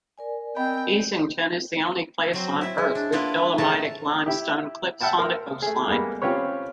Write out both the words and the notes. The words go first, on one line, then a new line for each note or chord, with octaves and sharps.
Easington is the only place on earth with dolomitic limestone cliffs on the coastline.
A#4 D5 G#5
C4 D#5 G5 B5
F#3 C4 C5
E4 E5
G#3
D4
A#3 B3 D4 E4 F4
C#3 E3 A3 C#5 A5 A#5
E4 G4
E5 F#5 G5 A5 B5
A#4 C6
A3 G#4
G3 G#3 A#3 B3
C4 C#4 F4 G4 B4 C#5